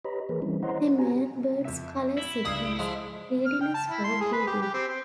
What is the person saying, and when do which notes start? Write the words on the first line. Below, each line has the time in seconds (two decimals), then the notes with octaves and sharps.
The male bird's color signals readiness for breeding.
0.05 G4 B4 C#5 D#5 A#5 B5
0.29 E3 A#3 G#4 A#4 B4
0.42 D#3 E3 G3 C4 C#4 E4
0.63 C5 C#5 D#5 F#5 A#5 C6
0.79 C#5
0.99 F#4 G4 G#5 A#5
1.65 F2 E5
2.18 E4
2.45 C#2 G2 E5 D#6 C7
2.79 F3 G#3
3.46 F6
3.61 G5
3.74 A5
3.90 E4
4.04 C6
4.21 G#4
4.33 B4
4.47 G4
4.62 G4
4.74 C4
4.88 C4